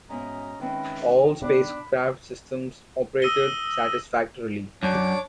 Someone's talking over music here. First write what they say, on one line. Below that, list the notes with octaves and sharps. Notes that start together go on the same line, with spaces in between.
All spacecraft systems operated satisfactorily.
G#2 B2 C#4 E4 D#5 A#5
D#3 G#3 C4 C#4 E4 B4
B2 D4 B5
D#6 E6 A#6 D#7 G7
F#2 D4 C#5 D6